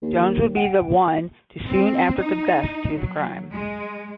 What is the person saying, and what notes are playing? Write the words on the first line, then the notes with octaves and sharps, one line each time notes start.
Jones would be the one to soon after confess to the crime.
D#2
F#5 G5 D7
C4
D#4
F#3
G#3